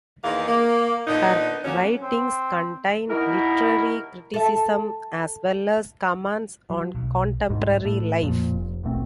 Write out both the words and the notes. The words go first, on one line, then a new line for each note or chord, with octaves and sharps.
Her writings contain literary criticism as well as comments on contemporary life.
E2 D#3 E3 A#3 G#4 F5
A#3
A#2 D3 D#3 B3 D#4
F2 A#2 F#3 A#3 C#4
C4
D#2 B2 E4 A#4
A4 E5
F#3
B1
C2 G#2
A2
F2 A#2
F1
D#1 B1 A3 C4